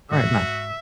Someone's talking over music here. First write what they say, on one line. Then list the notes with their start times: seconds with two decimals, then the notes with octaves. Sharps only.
Alright, bye.
0.12 G#2 F#4 E5